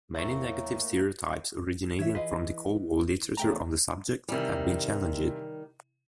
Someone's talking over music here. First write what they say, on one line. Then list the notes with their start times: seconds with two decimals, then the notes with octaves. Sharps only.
Many negative stereotypes originating from the cold-war literature on the subject have been challenged.
0.15 E2 A2 A#3 E5 C#6
1.99 E3 C#5 E5 G#6
2.15 F4 G#4 B4 D#5
3.37 E2 C#3 A3 E5 G5 A#5
4.28 C3 D#3 E3 G3